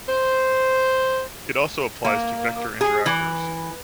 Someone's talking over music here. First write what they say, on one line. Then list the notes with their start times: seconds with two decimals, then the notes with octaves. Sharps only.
It also applies to vector interactors.
0.07 C5
2.05 A#3
2.81 G#4
3.06 E3